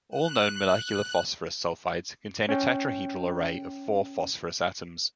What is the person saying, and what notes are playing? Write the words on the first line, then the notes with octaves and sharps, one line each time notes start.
All known molecular phosphorus sulfides contain a tetrahedral array of four phosphorus atoms.
F#6
C#4 G5